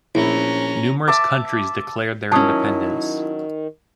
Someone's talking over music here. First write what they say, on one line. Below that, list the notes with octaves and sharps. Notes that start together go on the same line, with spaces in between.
Numerous countries declared their independence.
A#1 C#4 E4 A#5
E5 A5 D6
D#3 F#3 C#4 E4 A5 D#6